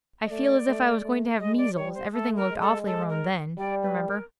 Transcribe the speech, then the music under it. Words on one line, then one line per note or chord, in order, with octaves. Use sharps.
I feel as if I was going to have measles; everything looked awfully rum then, remember.'
D#5
A3 D5
A3
A3
G#3 D#5
D5
G3 C#5
C5
A3 A4
A#4
G#3
A4
A4
A#4
G3 D5
B4
A#4